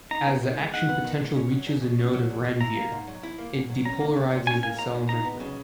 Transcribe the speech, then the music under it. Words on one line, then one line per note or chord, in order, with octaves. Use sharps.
As the action potential reaches a node of Ranvier, it depolarises the cell membrane.
D#4 A#5
B3
D#3
G#3
D#4 F#5
B3
D#3
G#3
C#4
F#3
E2
B2
C#4
F#3
E2
B2
E4 A#5
A#3
G#2
F#3
E4
A#3
G#2
F#3
C#4 A#5
A#3
B1
A#2
C#4 G#5
A#3 G#5
B1 A#5
A#2
D#4 A#5
B3
C#3